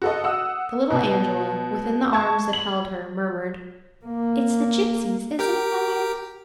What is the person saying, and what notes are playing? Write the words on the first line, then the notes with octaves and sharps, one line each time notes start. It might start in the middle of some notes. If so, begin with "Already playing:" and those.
The little Angela, within the arms that held her, murmured, "It's the gipsies, isn't it, mother?"
F#4 A4 D#5
F#5 D#6 E6
B2
A5 C#6 G#6
F#7
A#3
G4 A#4 G5